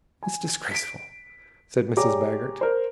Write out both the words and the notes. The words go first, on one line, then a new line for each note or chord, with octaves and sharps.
"It's disgraceful," said Mrs. Baggert.
G#5
B6 D7
G4 G#4 C#5 D5 A#5 D6
A#4 C5